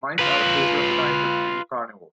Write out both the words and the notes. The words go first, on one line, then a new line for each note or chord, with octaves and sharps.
Mice are a staple in the diet of many small carnivores.
F4 B4